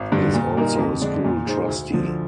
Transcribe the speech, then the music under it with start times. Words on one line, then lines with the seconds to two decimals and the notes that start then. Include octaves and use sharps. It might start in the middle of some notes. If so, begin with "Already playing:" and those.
He is also a school trustee.
Already playing: G#1
0.12 G2 D3
0.34 A#2
0.57 G3 A#3 D#4 A#4
0.79 F2
1.01 D3 G#3 D4
1.24 A#2
1.46 G#3 D#4 G#4 C5
1.68 D2
1.92 D3 F3